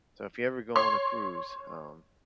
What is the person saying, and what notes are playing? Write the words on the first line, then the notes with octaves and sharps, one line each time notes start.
So, if you ever go on a cruise, um,
C#5 C6